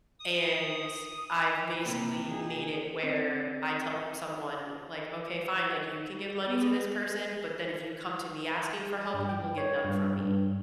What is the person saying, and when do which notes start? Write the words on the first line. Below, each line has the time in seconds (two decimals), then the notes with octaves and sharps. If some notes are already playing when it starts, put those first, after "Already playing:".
and I've basically made it where I tell someone, like, "Okay, fine," like, "You can give money to this person, but then if you come to me asking for help, you will get none from me."
0.20 D#6
1.54 F3 B5
1.86 C3 A#3
2.27 E3 D#4 F4 G#4
3.03 C4
6.47 B3
9.14 G2
9.29 G5
9.58 C#5
9.84 G2
10.20 G2